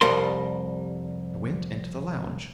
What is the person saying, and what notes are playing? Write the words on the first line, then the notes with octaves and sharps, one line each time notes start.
I went into the lounge.
C2 F2 G3 A#4 C6